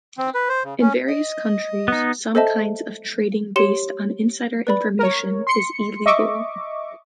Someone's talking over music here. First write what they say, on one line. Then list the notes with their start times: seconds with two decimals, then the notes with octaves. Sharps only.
In various countries, some kinds of trading based on insider information is illegal.
0.18 C4
0.34 B4
0.49 C5
0.64 C#3
0.81 C#4
1.08 D#5
1.88 B3 D#4
2.35 A4 C5 D#5 E5 A5
3.56 G4 C#5 C6 C#7 E7 G7
4.67 B4 D5 B5
4.99 A#4 C#5
5.47 C6 C#7
6.06 D#5 E5 C#6 D6